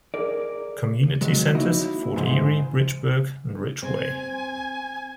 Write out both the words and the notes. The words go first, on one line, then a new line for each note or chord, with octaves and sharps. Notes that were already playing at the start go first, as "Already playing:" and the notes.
Community centres: Fort Erie, Bridgeburg and Ridgeway.
G#4 A#4 D5
D#3 F#3 G#3
A#3 D#4 E4 F#4 C#5 D#5
G#2 E3 G#4 C5
C4 G#5